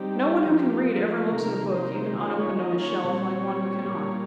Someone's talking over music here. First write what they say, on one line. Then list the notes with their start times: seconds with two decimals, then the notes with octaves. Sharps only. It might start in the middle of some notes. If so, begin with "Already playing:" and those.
No one who can read, ever looks at a book, even unopened on a shelf, like one who cannot.
Already playing: G3 C4 D#4 G4
0.46 F3 A#3 F4
1.32 C3 D#3 A#3 A#4
1.75 C5
1.85 A#4
1.96 C5
2.17 D#3 A#3 C#4 F4 C5
2.39 C#5
2.60 D#5
2.82 C#5
3.03 A#2 G3 C4
3.89 A#2 G3 A#3